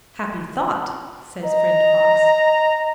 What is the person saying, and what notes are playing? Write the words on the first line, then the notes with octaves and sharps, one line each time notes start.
'Happy thought!' says friend Fox.
D#5 A#5